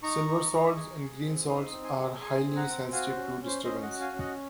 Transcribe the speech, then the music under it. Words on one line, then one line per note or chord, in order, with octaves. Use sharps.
Silverswords and greenswords are highly sensitive to disturbance.
D#4 A#5 C#6
D#4
D#4
G#4
G#4
C4
D#4 C6 D#6
C4
G#5 C6
G#4
G#4 G#5 C6
C4
F#5 A#5
C4
F#4 F5 G#5
C5
C#4
C#4
C5
C#4 C5 D#5
D#5 F#5
F#4
F5 G#5
C#4
D#5 F#5